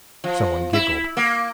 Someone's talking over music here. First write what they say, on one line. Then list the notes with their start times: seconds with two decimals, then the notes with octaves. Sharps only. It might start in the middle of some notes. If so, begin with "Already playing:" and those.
Some one giggled.
0.24 F3
0.73 E4
1.17 A#3